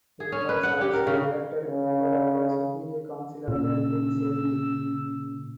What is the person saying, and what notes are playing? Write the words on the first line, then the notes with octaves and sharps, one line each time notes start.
He was also elected member of the Superior Council of the judiciary.
G#4
C#4
B4
F#5
G4
A#4
C#3
C#3
A#2 C#3 E6